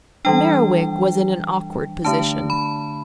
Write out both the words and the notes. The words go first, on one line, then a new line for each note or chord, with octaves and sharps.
Merriwig was in an awkward position.
E3 G3 D4 G5
D3 A3 D4 A5
B5